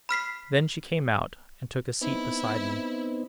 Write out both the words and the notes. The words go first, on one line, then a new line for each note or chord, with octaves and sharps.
Then she came out, and took a seat beside me.
B5 F6 B6 C7
B3 C4 D#4 E4